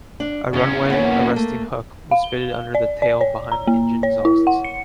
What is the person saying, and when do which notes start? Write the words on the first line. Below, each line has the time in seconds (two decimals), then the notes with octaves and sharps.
A runway arresting hook was fitted under the tail behind the engine exhausts.
0.20 D4
0.53 E2 C#3 C#4
0.90 A#3 B3 C#5
1.36 A3
2.11 F5
2.24 G7
2.75 D5
3.02 D5
3.21 C#5
3.52 A#5
3.67 A#3
4.03 C#5
4.25 E4
4.47 F#5
4.64 C#7